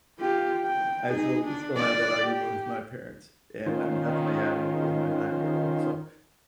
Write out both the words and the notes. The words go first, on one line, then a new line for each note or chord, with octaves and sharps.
I still still have that argument with my parents, and I'm definitely having it with my nine-year-old, so
F4 G4
G5
D#4 G#4
D4
D5
G4
D#3 C#4 F4 C5